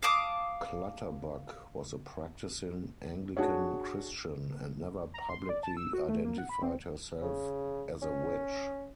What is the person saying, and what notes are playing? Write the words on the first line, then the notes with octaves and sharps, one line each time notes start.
Clutterbuck was a practising Anglican Christian, and never publicly identified herself as a witch.
F5 A5 D6 D#6
D4 F#4 G#4 C#5
A#5
C6
D5
A5
E6
F#4
A3
A#3
F#5
B5
C4
C#3
C#4